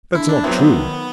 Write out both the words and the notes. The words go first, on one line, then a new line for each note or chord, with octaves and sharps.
That's not true.
D3 E4
D4
F#3 B3 C4 E4
B3
D#3